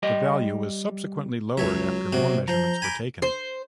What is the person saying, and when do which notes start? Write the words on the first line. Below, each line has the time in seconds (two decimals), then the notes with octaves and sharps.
The value was subsequently lowered after more measurements were taken.
0.03 G3 G4 D#5
1.57 C#2 F#3 C#5 E5
2.13 C3 F#4
2.48 F3 A#5 G6
2.82 G#5 B5 D6
3.22 C5